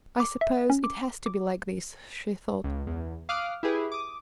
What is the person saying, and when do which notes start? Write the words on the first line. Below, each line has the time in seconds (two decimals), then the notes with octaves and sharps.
"I suppose it has to be like this!" she thought.
0.20 D6
0.41 E5
0.70 C#4
0.84 D6
1.26 D6
2.64 C#2
2.87 E2
3.29 F5 D6 D#6 F6 F#6
3.63 E4 G4 G#4 B4
3.92 D6 D#6